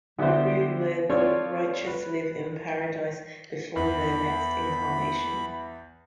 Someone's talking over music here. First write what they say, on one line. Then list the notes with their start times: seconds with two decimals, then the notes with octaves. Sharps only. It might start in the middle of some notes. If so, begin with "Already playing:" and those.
Meru where the righteous live in paradise before their next incarnation.
0.19 D3 B3 E4 F#4 G4 C5
1.09 C4 F4 A4 C#5 D5
1.87 B4
3.76 E2 B5